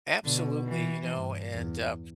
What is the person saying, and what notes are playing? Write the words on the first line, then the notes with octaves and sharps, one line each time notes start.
Absolutely, you know, and, uh,
B2 D3
E3
G2
E2